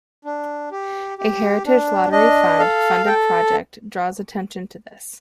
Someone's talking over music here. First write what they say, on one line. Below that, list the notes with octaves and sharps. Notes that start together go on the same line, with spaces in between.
A Heritage Lottery Fund funded project draws attention to this.
D4
G4
G4
D4
D4 D#5
A4 F5
A4 G5